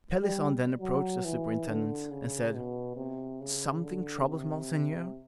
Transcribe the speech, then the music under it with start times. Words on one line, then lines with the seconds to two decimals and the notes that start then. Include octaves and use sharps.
Pelisson then approached the superintendent, and said: "Something troubles monseigneur?"
0.23 G3
0.81 F#3
1.25 E3
1.68 D3
2.11 C#3
2.55 B2
2.97 C3
3.41 C#3
3.84 D3
4.27 C3